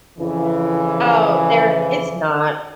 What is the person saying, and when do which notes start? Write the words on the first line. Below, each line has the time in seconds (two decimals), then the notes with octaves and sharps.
Oh, there it's not.
0.19 F2 C#3 E3